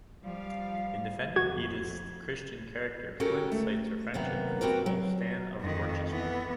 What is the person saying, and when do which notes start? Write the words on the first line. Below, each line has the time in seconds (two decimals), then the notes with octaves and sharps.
In defending Edith's Christian character Flint cites her friendship with Wulfstan of Worcester.
0.23 F3 G3 F5
1.36 F2 F#4 G#6
3.20 C#4 F#4 G4 A4 A#4
3.52 A3
4.14 F#2 C3 D#3 A#3 B3 A#5
4.61 C4 F#4 G4 A#4 B4
4.86 F#3
5.61 F2 D#3
6.10 E3 B3